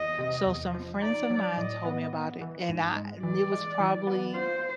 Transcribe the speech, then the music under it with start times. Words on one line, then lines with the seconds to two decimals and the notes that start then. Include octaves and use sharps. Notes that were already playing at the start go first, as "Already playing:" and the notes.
so, some friends of mine told me about it and I and it was probably,
Already playing: E2 D#5
0.19 C3
0.46 E2
0.75 F3
1.02 D#4 D5
1.30 F#3
1.57 A2 D#5
1.85 B3
2.13 B3
2.41 E3
2.69 G#2
2.96 G#3
3.23 E3 D5
3.52 G#3
3.80 E3
4.07 B3
4.34 F4 C5